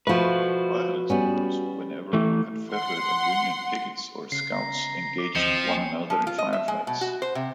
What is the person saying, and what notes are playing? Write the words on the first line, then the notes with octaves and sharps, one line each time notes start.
Violence arose whenever Confederate and Union pickets, or scouts, engaged one another in firefights.
F3 A3 F#4 B4
G3 B3 C#4
E3 A3
F#5 C6
C#3 C7
A#5
D6
D2 E3 F3 C4 D#5 C#7
A#3 G5 G#5
F3
F4
D#5
E5
G#3
B2
F#4
C5
C3